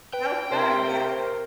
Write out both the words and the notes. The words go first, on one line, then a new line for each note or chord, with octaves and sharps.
How fun, yeah.
B4 G5
C3 A#4 C5